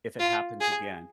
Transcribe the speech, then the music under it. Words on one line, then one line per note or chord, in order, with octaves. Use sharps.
if it happens again,
F4
G#4